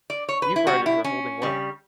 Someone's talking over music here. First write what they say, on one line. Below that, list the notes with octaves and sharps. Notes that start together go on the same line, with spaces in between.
These riders are holding well.
D5
C#5
B4
E4
B2 G3 F#4
E4
C#4
C#3 G3